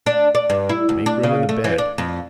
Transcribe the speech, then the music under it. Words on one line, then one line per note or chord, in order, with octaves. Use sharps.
Make room in the bed.
D4
D5
G2
E4
D2
D4
C#3
A3
E3
D4
F2